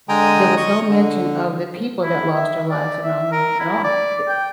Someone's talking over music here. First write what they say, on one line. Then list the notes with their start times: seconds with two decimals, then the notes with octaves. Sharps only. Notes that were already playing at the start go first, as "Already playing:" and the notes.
there was no mention of the people that lost their lives around there at all. Th
0.09 D3 G#3 G5 G#5 A#5 D#6
0.57 D#5 C#6 D#6
0.89 D3
2.03 E4
2.35 E5
2.70 D5
3.03 E5
3.32 A#4
3.59 E4
3.84 D5
4.28 G5